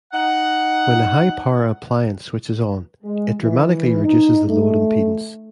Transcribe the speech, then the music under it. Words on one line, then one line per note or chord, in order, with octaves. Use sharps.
When a high-power appliance switches on, it dramatically reduces the load impedance.
D#4 F#5
G#3
E3
D#4
A3